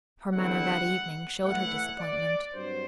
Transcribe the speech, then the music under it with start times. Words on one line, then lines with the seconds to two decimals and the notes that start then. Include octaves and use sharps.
Her manner that evening showed her disappointment.
0.33 E2 D3 G3 C4 E4 F#5
1.43 A2 E3 A3 E4 F#5
1.99 D5
2.53 G2 F#3 C4 C5